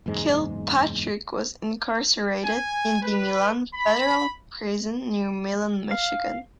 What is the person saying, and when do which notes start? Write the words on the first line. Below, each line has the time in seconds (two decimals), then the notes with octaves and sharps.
Kilpatrick was incarcerated in the Milan Federal Prison near Milan, Michigan.
0.06 F#1 E2 G#2 G#3
2.45 G#5
3.03 B4
3.75 B5
5.91 F5